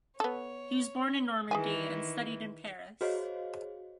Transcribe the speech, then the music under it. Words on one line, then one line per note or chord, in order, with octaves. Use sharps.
He was born in Normandy, and studied in Paris.
B3 A4 C#5
D#3 E3 G#4 E5 G#5
F#4 G#4 C5 C#5 D#5 F5